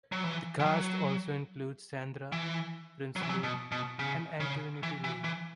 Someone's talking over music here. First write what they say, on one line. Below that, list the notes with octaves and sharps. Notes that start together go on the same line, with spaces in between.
The cast also includes Sandra Prinsloo and Antoinette Louw.
F#3
E3
E3
F#3
E3
F#3
E3
F#3
B2
B2
C#3
C#3
E3
E3
E3